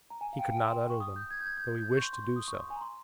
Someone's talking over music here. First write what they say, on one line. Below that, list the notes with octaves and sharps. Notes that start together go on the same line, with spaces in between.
He could not utter them, though he wished to do so.
A#5
G#5
F5
G5
F5
G5
G#5
C6
C#6
D#6
G6
G#6
G6
G#6
G6
G6
G6
C#6
C6
C6
C6
D#6
C#6
C6
G#5
A#5
C6